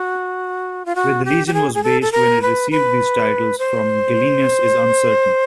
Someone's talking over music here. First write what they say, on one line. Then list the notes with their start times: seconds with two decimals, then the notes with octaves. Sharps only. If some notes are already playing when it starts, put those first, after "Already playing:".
Where the legion was based when it received these titles from Gallienus is uncertain.
Already playing: F#4
0.85 F4
0.95 F#4
1.25 G4
1.47 G4
1.54 G#4
1.74 G#4
1.83 A4
2.02 A4
2.12 A#4
2.42 B4
2.71 B4
3.58 C5